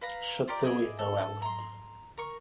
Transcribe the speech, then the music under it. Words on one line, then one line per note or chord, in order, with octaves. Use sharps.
Shut the window, Ellen!
B4 F5 A#5
F4 G4 A#4 D5
E4 G#4 D5 D#5
A4
A#5 C6
A#4 C#6